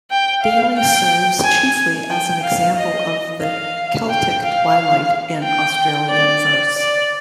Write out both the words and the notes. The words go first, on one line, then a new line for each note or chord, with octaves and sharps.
Daley serves chiefly as an example of the Celtic Twilight in Australian verse.
G5
F5
G5
G#5
G5
F5
D#5
F5
G5
F5
G5
D5
D5